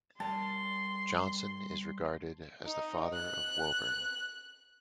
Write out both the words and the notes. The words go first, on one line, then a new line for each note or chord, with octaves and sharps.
Johnson is regarded as the father of Woburn.
G3 A#4 D5 A5 C6
D#4
F#6